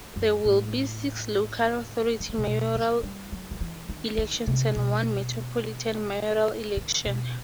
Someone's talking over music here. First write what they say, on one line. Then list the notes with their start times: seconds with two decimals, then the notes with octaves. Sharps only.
There will be six local authority mayoral elections and one metropolitan mayoral election.
0.16 F#2
0.45 A2
2.20 E3
2.29 D#3
2.38 C3
2.46 B2
2.75 F#3
3.03 G3
3.32 F#3
3.51 D#3
3.60 E3
3.89 D#3
4.18 D#3
4.47 C3
4.76 B2
6.77 D#3
7.06 B2